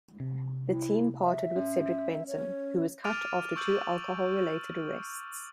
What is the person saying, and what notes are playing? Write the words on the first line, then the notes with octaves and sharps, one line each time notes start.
The team parted with Cedric Benson, who was cut after two alcohol-related arrests.
C3
E4
E5
C#4
C#5
D6 F6 A6 D7 D#7 F7
C#6 D6 E6 G6 D7 F#7